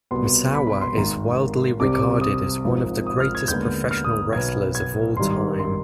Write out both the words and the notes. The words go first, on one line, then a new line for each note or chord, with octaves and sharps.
Misawa is widely regarded as one of the greatest professional wrestlers of all time.
C2 B2 B3 C6
B5
B5
C6
G#1 G#2 D#3
C2 C3 G3 C4 D6
D6
D6
D#6
G#1 G#2 F3 C4
D#6
F6
G#6
D#2 D3 G#3 B3 G6
F6
D#6
B1 B2 B3 G#6
G#6
G#1 G2 D#3 G3 C6
C6